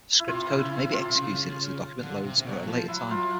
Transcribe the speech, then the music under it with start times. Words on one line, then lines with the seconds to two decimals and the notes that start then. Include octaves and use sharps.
Script code may be executed as the document loads or at a later time.
0.20 E4
0.28 C3 F4
0.50 E4
0.57 C#3
0.71 E4
0.85 C3
0.93 F4
1.11 C3
1.15 C#3
2.01 D3
2.23 C3
2.38 C3
2.45 B2
2.57 F#3
2.67 F3
2.88 F#3 E4
3.11 F4